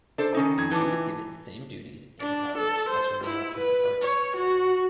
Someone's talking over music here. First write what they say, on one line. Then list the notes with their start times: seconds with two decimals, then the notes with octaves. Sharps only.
She was given same duties and powers as her male counterparts.
0.18 D4 A4 C5
0.34 D#3 C#4 D#4
0.58 F2 G#6
0.71 E3 A5 D6
2.20 D4
2.58 A4
2.89 C5
3.24 E4
3.58 B4
4.02 C#5
4.37 F#4